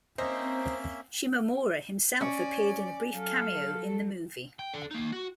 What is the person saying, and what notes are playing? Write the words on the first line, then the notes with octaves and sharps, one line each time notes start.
Shimomura, himself, appeared in a brief cameo in the movie.
A#3 C4 C#4 D#4 C5 E5
C#4 C#5 D5
F#3 A4 F5
G5
A4 D5
A#3 D#4
F#4